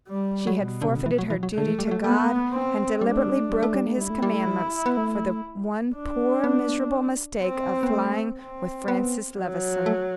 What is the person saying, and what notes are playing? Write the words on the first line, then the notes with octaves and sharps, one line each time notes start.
She had forfeited her duty to God, had deliberately broken his commandments, for the one poor miserable mistake of flying with Francis Levison.
G3
F#3
B2 G3
D3
C3
D3
E3
F#3
E3
F#3
D3 A3
E3
G3
F#3
A3 B3
C4
G3 D4
A3
G3
A3
G3
A3
G3
A3
G3 E4
A3
G3
A3
G3
B3
A3
D4
B3
C4
B3
A3
C4
B3
F#3
A3